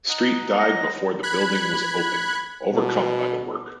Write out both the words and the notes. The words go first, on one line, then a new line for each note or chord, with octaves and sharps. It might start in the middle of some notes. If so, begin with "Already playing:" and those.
Street died before the building was opened, overcome by the work.
D#4 D#5 F#5
A#6
B5 F#6 G#6
B2